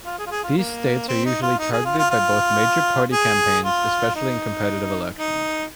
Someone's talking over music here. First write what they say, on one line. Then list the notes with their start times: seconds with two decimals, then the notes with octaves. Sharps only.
These states are usually targeted by both major-party campaigns, especially in competitive elections.
0.06 F4
0.18 G#4
0.27 F4
0.31 G#4
0.44 F4
0.57 A#3
1.08 C4
1.25 D#4
1.42 F4
1.59 D#4
1.72 G#4
1.85 F4
1.98 F4
2.10 F4
3.13 G#4
3.65 F4
4.15 D#4
5.18 D#4